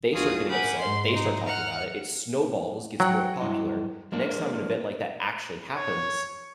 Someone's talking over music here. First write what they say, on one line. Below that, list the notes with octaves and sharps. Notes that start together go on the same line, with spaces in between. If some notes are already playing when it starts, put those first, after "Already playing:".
They start getting upset, they start talking about it, it snowballs, gets more popular, the next time an event like that actually happens,
D2 D4 F4 F#4 G#4 D#6
A#4 F#5 G#5 B5 D6 G6
G#2 C6
D#4
F#5 F6
F#3 F#5 G5
G2 E4 D#5
G#3 A#3 D4
C#5